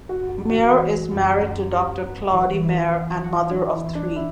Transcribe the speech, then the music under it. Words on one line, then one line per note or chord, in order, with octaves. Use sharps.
Meyer is married to Doctor Claude Meyer and mother of three.
F#4
F#2
F#4
E3 F#4
A3
F#2
F#2
F#4 G4
B3
E3 E4
E3 E4
B3
F#4
D4
E3 E4
E4
C4
D4
E4 G4